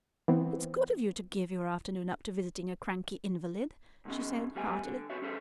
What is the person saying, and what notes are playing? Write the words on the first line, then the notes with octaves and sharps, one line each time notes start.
"It's good of you to give your afternoon up to visiting a cranky invalid," she said heartily.
E3 B3 C4
C2 G#2 B3 C#4
G3 A3 B3 G5 G#5
D3
B3 F#4 C#5 E5
C#4 G#4 A4 C5 E5